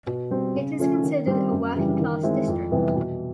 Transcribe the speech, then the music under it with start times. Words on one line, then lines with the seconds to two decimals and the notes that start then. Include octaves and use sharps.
It is considered a working class district.
0.07 B2
0.30 G3 C4
0.54 C#3
0.78 F3 A3 C#4
1.03 D#3
1.27 G3 C4
1.51 F#2
1.75 C#3 E3 G3
1.99 D#3
2.23 G#3 C4 E4
2.47 F2
2.71 C3 E3 G3 B3
2.95 B2